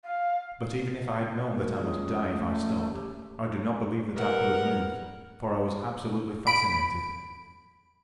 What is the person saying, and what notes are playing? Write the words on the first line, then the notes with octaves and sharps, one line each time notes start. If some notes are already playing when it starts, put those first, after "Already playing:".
But, even if I had known that I must die if I stopped, I do not believe that I could have moved, for I was absolutely fascinated.
F5
A#3 F#4
F3 G#3 C#4 G#4
A3
G4
G3 A#4 B4 F#5
B5 D7